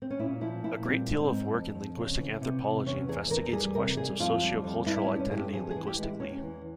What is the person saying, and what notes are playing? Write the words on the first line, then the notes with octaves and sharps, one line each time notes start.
A great deal of work in linguistic anthropology investigates questions of sociocultural identity linguistically.
C4
C#4
A#2 E4
F3 E4
A#2 E4
G3 C4
G#2
C4
G#2
F2
F2
C#3
E3
C3
C3
E2 C#4
E2 G#4
E2 A#4
G3 G#4
C3 A#4
G3 G#4
F2 F4
G3
F2
G2 E4
E4
C#4
G2
C#4
G2 G#4
G4
F2 G#4
G#4
E3
G4
G#3
E4
E2 C#4
E3